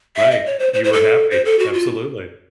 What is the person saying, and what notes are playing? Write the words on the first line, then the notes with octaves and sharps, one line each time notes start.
Right, you were happy, absolutely.
E5
D#5
C#5
C5
C5
C5
A4
C5
A4
F#4
F4